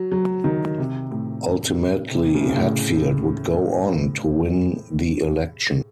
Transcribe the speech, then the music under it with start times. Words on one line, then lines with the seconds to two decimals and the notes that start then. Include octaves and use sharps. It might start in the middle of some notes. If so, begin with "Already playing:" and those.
Ultimately, Hatfield would go on to win the election.
Already playing: F#3
0.12 F#3
0.44 D#3
0.78 C3
1.11 A2
2.11 C3
2.34 C#3
2.41 C3
2.49 C#3
2.57 A2